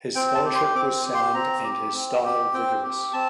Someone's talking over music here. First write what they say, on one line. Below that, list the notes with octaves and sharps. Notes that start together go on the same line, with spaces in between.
His scholarship was sound and his style vigorous.
C4 G5
A5
G4
C6
C4 D6
G4
C6
C4 A#5
G4
C4
G4
C4 G5
G4
C4 A5